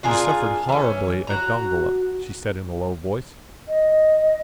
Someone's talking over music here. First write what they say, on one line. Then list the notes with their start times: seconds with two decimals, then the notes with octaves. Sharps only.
"You suffered horribly at Dongola," she said in a low voice.
0.03 D4 F4 G#4 A#4
0.69 E3 C#4
1.27 F#4 A#5
3.68 D#5